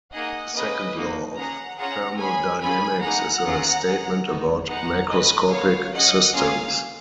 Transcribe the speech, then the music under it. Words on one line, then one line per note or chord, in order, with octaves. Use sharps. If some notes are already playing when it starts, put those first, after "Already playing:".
The second law of thermodynamics is a statement about macroscopic systems.
A#3 D#4 G#4 D#5 F#5
A#3 C#4 G#4 B4 D#5
A#3 D#4 F#4
C#4 G#4 F#5 A#5
C#4 F4 G#4 F#5 A#5
C#4 G#4 G#5 B5
C#4 F4 G#4 G#5 B5
A#3 D#4 G#4 F#5 A#5
C#4 F4 G#4
C#4 G#4
B3 D#4 F#4
B3 D#4 G#4 F#5 A#5
C#4 F#4 B4 D#5
B3 F#4 C#5 F5
C#4 G#4 D#5 F#5
A#3 C#4 F4 G#4 F5 G#5